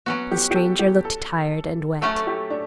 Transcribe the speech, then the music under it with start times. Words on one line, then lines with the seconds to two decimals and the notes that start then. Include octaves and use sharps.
The stranger looked tired and wet.
0.06 F#3 B3 C#4 F#4
0.31 G4
0.51 G4
0.55 A4
0.79 G4
1.05 A4
2.01 F#3 A3 C#4 A4
2.27 G4
2.50 D4